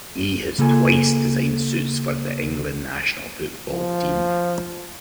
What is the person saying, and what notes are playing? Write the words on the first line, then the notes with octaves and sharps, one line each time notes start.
He has twice designed suits for the England national football team.
C#3 A#3 F4 A4 G#5
F3